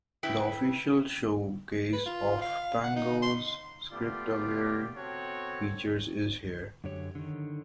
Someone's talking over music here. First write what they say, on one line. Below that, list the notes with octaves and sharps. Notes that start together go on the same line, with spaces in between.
The official showcase of Pango's script-aware features is here.
C#3 E4 B4 G5
B4
F4
F5
F#5
D#4
C6
A3 B3 F4 G4 D5
B3 C4 F#4 A4 C#5
F#2 D3 G4 C#5
D3 D#3